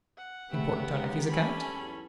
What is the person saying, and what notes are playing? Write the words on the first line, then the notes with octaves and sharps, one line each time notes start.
"Important on Effie's account?"
F#5
C#3 A3 B3 G4 B4 E5
D#3 G#3
C#4 D4 A4 G#5 B5
B1 E2